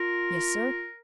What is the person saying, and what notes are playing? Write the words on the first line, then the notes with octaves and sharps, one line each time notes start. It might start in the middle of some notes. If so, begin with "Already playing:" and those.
"Yes, sir."
Already playing: F4 A#4